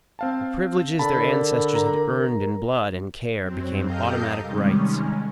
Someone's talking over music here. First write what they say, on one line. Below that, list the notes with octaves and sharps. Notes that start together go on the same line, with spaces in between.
The privileges their ancestors had earned in blood and care became automatic rights.
C4 F5 A5
D3 A#4 A5 B5
A#5
F#2 F#3 C4
G4 A4 A#4 D#5 F5 G6
C3 D#3 G3 G#3 C#4